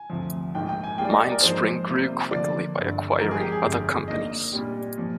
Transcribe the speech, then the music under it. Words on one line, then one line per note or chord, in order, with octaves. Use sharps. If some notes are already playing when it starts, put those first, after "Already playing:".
MindSpring grew quickly by acquiring other companies.
Already playing: G#5
D2 C3 F3
A#1 G#2 D#3 A#3 G5
G5
G#5
D#3 G3 A#3 F4 G#4 G5
D5
D#5
D5
A#4
G#2 F3 A#3 D#4 G#4 C5
C3 G3 A#3 F4 C5
D3 F3 A#3 D5
G1 G2 D3
G#1 G#2 F3 G#3 A#4
G#4
G4
G#4
G1 F2 D3
D#3 A#3 D4 D#5
A#2 G3 D4 G4
A#2 F3